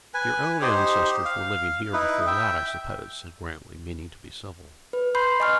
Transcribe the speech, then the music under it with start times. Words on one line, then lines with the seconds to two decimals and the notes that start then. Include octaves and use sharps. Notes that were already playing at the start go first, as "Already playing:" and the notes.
"Your own ancestors were living here before that, I suppose?" said Grantly, meaning to be civil.
0.14 B4 G#5
0.62 D#4 G4 C5
1.25 F5
1.93 D#4 E4 B4
2.27 E5 G5
4.93 B4
5.15 B5 C6 G6 C7
5.40 D#5 G#5 C#6 F6